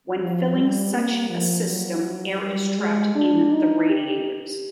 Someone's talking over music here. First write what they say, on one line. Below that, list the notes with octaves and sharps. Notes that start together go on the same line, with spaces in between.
When filling such a system, air is trapped in the radiators.
F3
G3
A#3
F3
F#3
G3
G#3
D4
D#4
G4